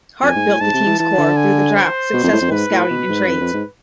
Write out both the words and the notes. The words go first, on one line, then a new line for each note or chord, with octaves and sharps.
Hart built the team's core through the draft, successful scouting and trades.
F2 G#5
G#2
A2
G#2 A5
C3
E3
E3 A5
D3
G#5
C5
B2
F2
A2
F2
G#2 B4
A2
B2
G#2
F2
F2
G#2